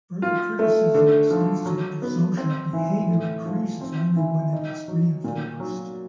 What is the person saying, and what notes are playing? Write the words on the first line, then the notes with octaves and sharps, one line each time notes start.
Further criticism extends to the presumption that behavior increases only when it is reinforced.
F4
A3
D3
F3
F#3
B3
C4
E3
A2
F3
C4
E3
D#4
F#3
A#2
F#3